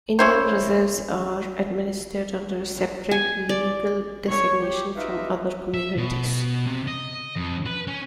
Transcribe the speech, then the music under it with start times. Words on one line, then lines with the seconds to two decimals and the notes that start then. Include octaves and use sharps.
Indian Reserves are administered under a separate legal designation from other communities.
0.19 C#4 E4 C5
3.11 G#5
3.49 D5
4.29 C#5
4.62 G4
4.95 D#4 F4 G4 B4 D#5 E5
5.74 E5
5.97 B2
6.67 C3
6.87 D#5
7.36 F2
7.66 B4
7.87 C#4